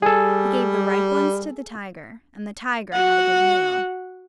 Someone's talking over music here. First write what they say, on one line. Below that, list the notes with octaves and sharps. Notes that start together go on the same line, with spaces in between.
He gave the ripe ones to the tiger and the tiger had a good meal.
G3 G#4 A4
F#4 F#5